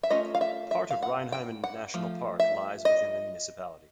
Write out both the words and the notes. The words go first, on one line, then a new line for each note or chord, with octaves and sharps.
Part of Reinheimen National Park lies within the municipality.
E5
A3 C#4 F4 D#5
F5
E5
E5
F5
F#5
G5
F#5
F3 A3
E5
D#5